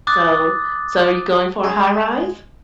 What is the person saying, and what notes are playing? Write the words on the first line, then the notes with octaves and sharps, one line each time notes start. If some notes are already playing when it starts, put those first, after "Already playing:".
so so you going for a high-rise?
D6 D#6 F#6 A6
G#3